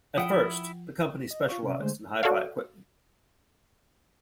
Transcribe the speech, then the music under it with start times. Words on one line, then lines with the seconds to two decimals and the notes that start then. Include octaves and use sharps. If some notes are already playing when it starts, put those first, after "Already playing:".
At first, the company specialised in Hi-Fi equipment.
0.18 F3 E4 F#5 G5 B5 D#6
1.31 D#5
1.49 F4 F5 C#6
1.63 C3 C#4
1.79 D3 G#3 A3 C5
2.23 F#4 A4 C#5 D5 F5